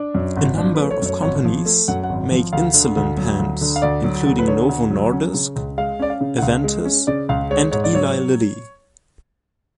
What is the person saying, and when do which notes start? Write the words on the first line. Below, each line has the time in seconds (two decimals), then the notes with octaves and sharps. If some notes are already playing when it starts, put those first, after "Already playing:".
A number of companies make insulin pens including Novo Nordisk, Aventis and Eli Lilly.
Already playing: D4
0.15 F#2
0.36 G#1
0.58 F3 D4
0.75 B4
0.80 A3
0.91 C#5
1.02 F#2 C#5
1.22 G#1 C#5
1.45 F3
1.66 A3
1.88 F#2 F#5
2.03 F#5
2.09 G#1
2.31 F3
2.53 D2 F5
2.74 D3
2.97 D2
3.17 F#3
3.39 D2
3.61 D3
3.76 F5
3.82 D2 D5
4.04 F#3
4.26 D2
4.39 B4
4.47 D3 C#5
4.69 D2
4.90 F#3
5.13 C#4
5.34 C#3
5.56 C#2
5.78 G#3 F5
5.99 C#4 D5
6.10 F5
6.21 C#3
6.38 F#5
6.42 C#2 F5
6.64 G#3
6.85 C#4
7.07 C#3 D5
7.29 C#2 F5
7.50 G#3 C#5
7.72 G#2 C#5
7.84 D5
7.93 F#3 C#5